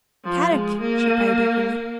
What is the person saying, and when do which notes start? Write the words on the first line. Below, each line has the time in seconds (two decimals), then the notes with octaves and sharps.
"Kadok!" she cried eagerly.
0.23 F3
0.51 G#3
0.80 A#3